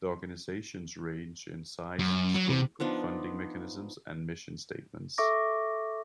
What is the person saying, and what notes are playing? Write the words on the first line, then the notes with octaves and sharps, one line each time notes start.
The organizations range in size, scope, funding mechanisms, and mission statements.
F#2
F#3
C3
F3 B3 D4 D#4
A4 E5 C#6 D6 A#6